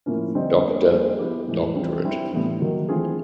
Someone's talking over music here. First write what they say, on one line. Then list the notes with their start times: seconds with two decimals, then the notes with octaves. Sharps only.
Doctor doctorate.
0.06 A2 F3 A#3 C#4 E4
0.35 D3 G3 C4 D#4
0.63 A#3 D4 G4 B4
0.91 G3 A#3 D#4 G#4 C5
1.19 G3 B3 E4 G4
1.48 A2 E3 G#3
1.76 E3 G3 C4 F4
2.04 G3 C4 E4
2.32 A2 E3 G3 B3
2.60 D#3 F#3 A#3
2.89 E3 A3 C4 F4 G#4